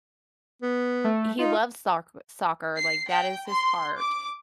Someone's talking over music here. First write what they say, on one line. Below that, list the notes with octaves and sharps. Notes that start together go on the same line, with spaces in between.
he loves soc soccer, like, that is his heart,
B3
A3
D#4 F4
C7
G5
C6
D6